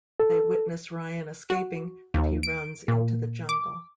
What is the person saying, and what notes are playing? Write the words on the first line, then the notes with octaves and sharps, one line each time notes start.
They witness Ryan escaping, but he runs into the jungle.
A4
F#4
D#2
D7
A#2
D6